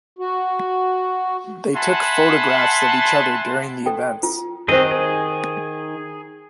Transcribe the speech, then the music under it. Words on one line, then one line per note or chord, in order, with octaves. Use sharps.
They took photographs of each other during the events.
F#4
E5 F#5 G#5 A5 B5 C6
A4 G5
F4
D#3 C4 D#4 G4 G#4 C5 D#5
G#4